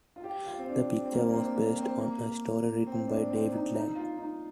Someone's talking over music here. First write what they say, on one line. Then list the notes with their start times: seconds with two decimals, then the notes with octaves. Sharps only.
The picture was based on a story written by David Lang.
0.16 F4
0.24 G4
0.46 F4
0.58 C4
0.68 D4
1.05 C4
1.12 A#3
1.29 A#3
1.34 C4
1.56 A#3
1.77 C4
2.00 A#3
2.87 C4
3.08 D4
3.30 C4
3.52 D#4
3.74 D#4
3.95 F4
4.18 D#4